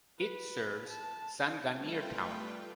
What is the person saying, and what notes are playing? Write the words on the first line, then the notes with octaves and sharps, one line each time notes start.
It serves Sanganer town.
B4
A5
G3 A3 F4 B4 G5